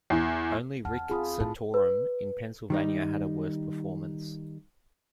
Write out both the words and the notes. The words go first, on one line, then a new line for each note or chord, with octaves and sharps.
Only Rick Santorum in Pennsylvania had a worse performance.
E2
E2 F#5 A5 F6
C4 F4 G#4 B5 D#6
A2 E4 A5 B5
B4
D#3 G3 D#4